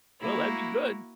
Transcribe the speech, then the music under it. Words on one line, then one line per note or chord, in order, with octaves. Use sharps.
Well, that'd be good.
A#3 E4 F#4